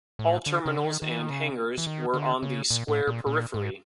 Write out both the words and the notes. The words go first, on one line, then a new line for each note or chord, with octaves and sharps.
All terminals and hangars were on the square periphery.
A2
D3
C#3
D3
D#3
D#3
E3
D#3
C#3
E3
D#3
D3
C#3
A#2
A2
A#2
A#2
G#2